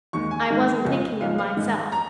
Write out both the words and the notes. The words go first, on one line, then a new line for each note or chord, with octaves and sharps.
I wasn't thinking of myself.
D#2 D#3 G#3 C#6
G#5
G#2 D#3 G#3
C#2 C#3 F3 G#3
G#2 F3 G#3 F5
F5
G#2 D#3 G#3
A#5